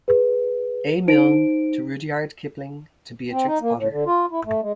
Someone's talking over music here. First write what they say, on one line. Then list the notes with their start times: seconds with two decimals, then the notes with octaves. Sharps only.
A. Milne to Rudyard Kipling to Beatrix Potter.
0.08 G#4 B4
1.08 D#4 C5 D7
3.31 C4
3.47 D#4
3.61 A#3
3.77 A2
3.90 D3
4.06 F4
4.31 E4
4.45 A3
4.62 G#3